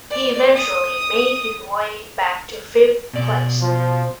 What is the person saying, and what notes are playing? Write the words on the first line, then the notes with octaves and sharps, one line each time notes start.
He eventually made his way back to fifth place.
D5
D#6
B2 D5
F3